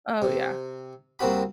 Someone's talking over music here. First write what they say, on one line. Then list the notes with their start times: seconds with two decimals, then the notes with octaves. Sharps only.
Oh, yeah.
0.22 C3
1.19 C2 A#3 C4 F#4 B5